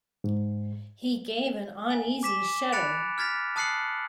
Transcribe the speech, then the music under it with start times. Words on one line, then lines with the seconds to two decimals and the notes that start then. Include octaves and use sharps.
He gave an uneasy shudder.
0.24 G#2
1.90 G#5
2.23 D6 B6 E7
2.72 B5 F#6 A6 C#7 D7 F7
3.18 F6 G#6 A6 B6 F7
3.56 A5 D#6 F#6 C7 C#7 F#7